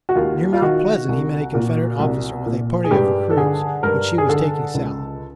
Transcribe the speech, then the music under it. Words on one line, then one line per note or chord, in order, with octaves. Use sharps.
Near Mount Pleasant he met a Confederate officer with a party of recruits which he was taking south.
F#4
D#2 F4
F4
D#3 F#4
C2
A#2
C2
A#2
G#4
G2 G4
A4
D3 G#4
G2 A#4
G#4
D3 A4
C#2